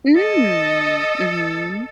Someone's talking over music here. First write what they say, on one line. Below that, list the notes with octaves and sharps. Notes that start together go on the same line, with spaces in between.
Mm, mhm.
A4 D#5